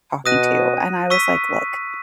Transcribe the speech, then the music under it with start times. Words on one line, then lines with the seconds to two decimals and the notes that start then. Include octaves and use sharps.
talking to, and I was like, "Look,
0.26 B2 D#6 F#6 A#6 D#7
1.10 C#6 E6 B6 D#7